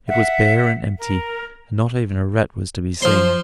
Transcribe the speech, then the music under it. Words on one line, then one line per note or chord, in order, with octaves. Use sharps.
It was bare and empty, and not even a rat was to be seen.
E5 F#5
A#4
F3 C5 C6